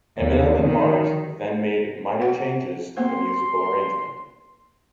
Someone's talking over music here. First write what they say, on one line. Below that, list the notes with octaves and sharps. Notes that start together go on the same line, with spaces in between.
Eminem and Mars then made minor changes to the musical arrangement.
D#2
D#3
F#4 F#5
A#3 C4 C5 C6